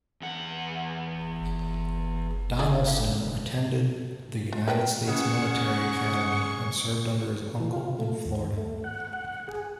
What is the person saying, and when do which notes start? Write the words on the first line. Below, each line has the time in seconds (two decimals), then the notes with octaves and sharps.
Donelson attended the United States Military Academy and served under his uncle in Florida.
0.22 E2 F#5
2.59 F4 G#4 D5
2.88 D3
4.53 F4
4.68 A#4 B4 G5
5.08 C#3 G#4 F#5 C#6
7.60 E3
7.73 F4
7.99 A3
8.25 D#2
8.57 A3
8.84 F#5
9.13 F#5
9.48 G#4